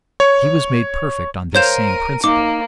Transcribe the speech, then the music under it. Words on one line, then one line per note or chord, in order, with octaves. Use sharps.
He was made perfect on this same principle.
C#5
A#4 C5 C#5 F5 G6 D#7 E7
A#3 D#4 D6